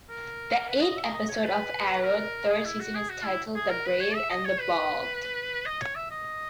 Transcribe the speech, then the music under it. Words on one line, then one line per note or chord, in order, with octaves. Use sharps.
The eighth episode of "Arrow"'s third season is titled "The Brave and the Bold".
A#4
B4
D#5
D#5
E5
D#5
D#5
C#5
B4
A#4
G#4
E4
F#4
G#4
F#4
E4
G#4
A#4
B4
C#5
E5
D#5
C#5
B4
D#5
C#5
E5
D#5